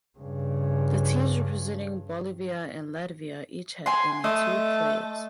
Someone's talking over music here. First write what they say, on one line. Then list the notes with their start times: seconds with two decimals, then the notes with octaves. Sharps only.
The teams representing Bolivia and Latvia each had only two players.
0.19 G2 C#3
3.86 G#5 C6
4.24 A3 D#5